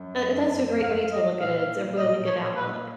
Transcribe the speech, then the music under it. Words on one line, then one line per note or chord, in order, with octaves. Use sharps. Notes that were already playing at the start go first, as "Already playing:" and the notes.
Uh, and that's a great way to look at it, it's a really good outlook.
Already playing: F#2
F#2 F5
G#2 D#5
A#2 F5
D#5
C#5
B4